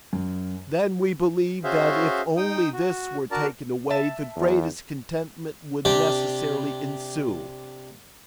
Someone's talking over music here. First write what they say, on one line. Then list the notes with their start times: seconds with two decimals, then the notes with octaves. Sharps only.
Then we believe that if only this were taken away, the greatest contentment would necessarily ensue.
0.13 F#2
1.64 C#4 F#4 G#4 C5 E5 F5
2.37 D#4 G5 D#6
2.73 F#4
3.31 D4 F#4 A#4 D5 A5 A#5
3.90 E5 A5
4.36 E2
5.85 C3 D4 G4